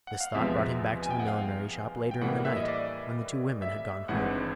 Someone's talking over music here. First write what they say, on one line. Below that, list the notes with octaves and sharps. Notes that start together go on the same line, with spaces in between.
This thought brought him back to the millinery shop later in the night, when the two women had gone home.
F#5
F5
E2 C3 F3 G#3 B3 E5
G#5
G5
F#5
F5
G5
A2 E3 G3 A#3 F#5
E5
D#5
D5
E5
G#1 G2 E3 G#3 C4 F#5